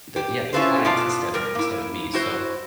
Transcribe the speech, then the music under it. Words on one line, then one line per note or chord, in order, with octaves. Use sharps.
the yeah, the clients instead of instead of me, so
G4
C#4 E4 F4 A4 B4 C5
B2 B3 F4 D5 A5
G3 A#4
A#3 E4
E4 F#4 C5